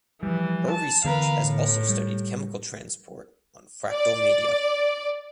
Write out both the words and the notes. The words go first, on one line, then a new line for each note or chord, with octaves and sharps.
Her research has also studied chemical transport on fractal media.
E3 F3 G3
A5
D3 E3 B3 A#4 B4 F5
A2
G3
D5